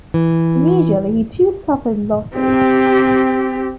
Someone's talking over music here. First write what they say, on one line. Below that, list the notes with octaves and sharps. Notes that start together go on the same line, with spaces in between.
Initially, he too suffered losses.
E3
C4 G4